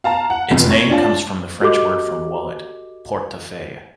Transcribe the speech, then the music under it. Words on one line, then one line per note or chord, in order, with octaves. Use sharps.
Its name comes from the French word for wallet: "portefeuille".
F5 A5 A#5
F#5
F1 F2
C#5
D4 F4 A5
F#4 G4 A4 D#5 D6